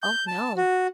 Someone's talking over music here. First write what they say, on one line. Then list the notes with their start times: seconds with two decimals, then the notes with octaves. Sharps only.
Oh, no.
0.02 G6
0.27 A5
0.57 F#4